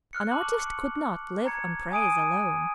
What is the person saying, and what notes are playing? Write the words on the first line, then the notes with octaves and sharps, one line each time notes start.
An artist could not live on praise alone.
F6 F#6 C#7
A5 C#6 D6 F#6 F#7
C#7
A#5 G#6 C#7
G#5 D#6 D7 D#7